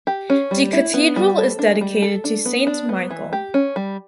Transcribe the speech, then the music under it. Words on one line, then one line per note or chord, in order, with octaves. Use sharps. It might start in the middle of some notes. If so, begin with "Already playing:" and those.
The cathedral is dedicated to St Michael.
G4
C#4
G3
E4
B3
G3
A4
D4
G3
A4
D4
B3
D4
B3
E3
G4
C#4
G3